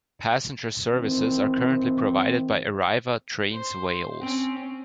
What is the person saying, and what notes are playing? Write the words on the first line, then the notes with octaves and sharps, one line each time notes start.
Passenger services are currently provided by Arriva Trains Wales.
D#3 E3 C4
C5
C4 C#4